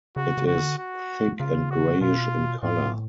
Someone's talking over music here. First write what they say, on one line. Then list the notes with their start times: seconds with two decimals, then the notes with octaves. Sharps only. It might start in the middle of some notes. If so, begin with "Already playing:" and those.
It is thick and grayish in color.
0.16 C#3 F#4
0.38 C#3
0.47 F#4
0.57 D3
0.78 F#4
1.39 C#3 F4
1.71 F#4
2.01 B2 F4
2.63 A2 F4